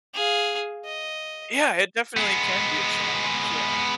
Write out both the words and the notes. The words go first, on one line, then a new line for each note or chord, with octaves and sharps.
Yeah, it definitely can be a challenge, yeah.
G#4 F5
D#5
G#3 B3